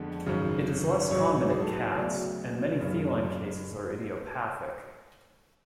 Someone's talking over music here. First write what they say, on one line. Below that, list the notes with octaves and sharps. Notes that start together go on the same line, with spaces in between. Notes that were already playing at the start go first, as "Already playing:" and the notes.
It is less common in cats, and many feline cases are idiopathic.
Already playing: F2 D3 G#3 B3
G#1 F#2 C#3
A1 G#2 F#3 C#5
B4
C#5
G#4
A4
B4
C#5
D2 C#3 F#3 B3 D5
F#1 F#2 C#3